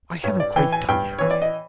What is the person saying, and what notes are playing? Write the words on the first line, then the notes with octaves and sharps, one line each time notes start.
I haven't quite done yet.
G2 C#5
D5
E3 G5
G#5
G2 G5
E3 C#5
D5
D#5